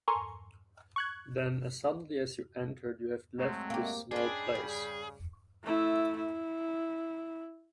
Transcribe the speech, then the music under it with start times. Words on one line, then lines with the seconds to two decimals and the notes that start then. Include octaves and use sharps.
Then, as suddenly as you entered, you have left this small place.
0.08 A4 A#4 G#5 A#5 C6 C#6
0.96 C#6 F#6 G#6
3.39 F#3 G#3 A3 C4
3.70 A#3 G4
4.11 G#3 C#4 D4 G#4 G5 B5
4.55 C#3 G3
5.64 A3 E4
6.16 E4